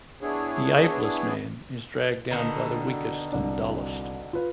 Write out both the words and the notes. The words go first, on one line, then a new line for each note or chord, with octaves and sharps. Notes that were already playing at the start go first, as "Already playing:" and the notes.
The ablest man is dragged down by the weakest and dullest.
B3 D4 E4 G#4 C#5
B2 D3 D#3
C2 D4
F4 B4